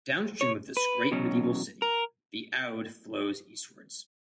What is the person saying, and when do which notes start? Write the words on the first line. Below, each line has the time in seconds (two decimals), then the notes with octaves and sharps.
Downstream of this great medieval city, the Aude flows eastwards.
0.41 C#5
0.77 B4
1.12 E2 B2 F#3 C#4
1.82 A#4